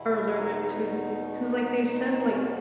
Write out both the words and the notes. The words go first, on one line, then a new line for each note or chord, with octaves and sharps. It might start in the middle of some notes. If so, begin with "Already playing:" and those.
are allergic to, like 'cause, like, they've said, like
Already playing: E2 B2 E4
D#4
E2 B2 D#4
D#4
C#4
B3